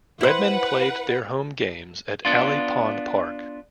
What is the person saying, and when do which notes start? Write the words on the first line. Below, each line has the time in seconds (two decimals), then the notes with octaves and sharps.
The Redmen played their home games at Alley Pond Park.
0.21 E4 B4 C5 F#5
2.25 B3 D4 F4